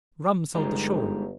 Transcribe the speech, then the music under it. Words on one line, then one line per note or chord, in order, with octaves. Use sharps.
Rum sold the shawl.
G1 G3 G#3 D#4